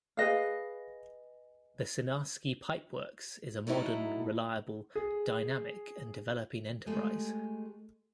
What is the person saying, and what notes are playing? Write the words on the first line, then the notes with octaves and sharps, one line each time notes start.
The Sinarsky Pipe Works is a modern, reliable, dynamic and developing enterprise.
G#4 B4 D#5 F5
A2 F#3 D#4 E4 A4
G#4
G#3 A3 G4 G#4